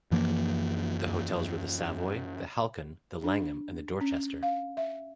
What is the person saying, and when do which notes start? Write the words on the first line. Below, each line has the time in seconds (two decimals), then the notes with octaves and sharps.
The hotels were the Savoy, the Halkin, the Langham and the Dorchester.
0.11 F#2 E3 F3 A#3
3.24 D4
4.01 C#4
4.43 F5
4.77 E5